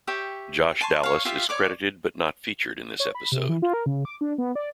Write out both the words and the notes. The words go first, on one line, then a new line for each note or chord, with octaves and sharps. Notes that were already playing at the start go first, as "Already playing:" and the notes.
Josh Dallas is credited but not featured in this episode.
G4 C#5 E5 G5
G#5 A5 C6 C#6
C#5 F5
F4 G4 E5 F5
C#5 D5 D6
C#5
B5
C3
E3
F4
A#4
C#3
D6
D4
B3
D5